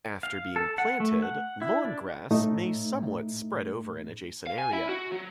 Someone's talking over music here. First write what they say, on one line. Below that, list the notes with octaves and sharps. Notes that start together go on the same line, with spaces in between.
After being planted, lawn grass may somewhat spread over an adjacent area.
F5
A4
F#5
A3
F#5
E4
D4
A2 A3 D#4
F5
G#5
E4
F#4
F#3